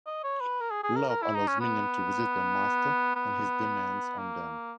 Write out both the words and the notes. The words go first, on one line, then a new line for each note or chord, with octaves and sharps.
Love allows minions to resist their Master and his demands on them.
D#5
C#5
B4
A#4
G#4
G#4
A#4
A#4
E4
D#4
C#4
B3
B3
A#3